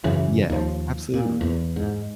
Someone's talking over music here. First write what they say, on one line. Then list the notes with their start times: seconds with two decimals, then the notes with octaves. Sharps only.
Yes. Absolutely.
0.04 F#2 C#3 E3
0.50 D#2 F3
1.14 A#2
1.41 E2
1.76 G#2